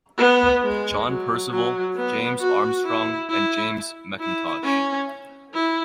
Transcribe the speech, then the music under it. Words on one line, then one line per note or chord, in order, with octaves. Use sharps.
John Percival, James Armstrong, and James McIntosh.
B3
G#3
F#3
F#3
B3
F#4
E4
E4
E4
C#4
E4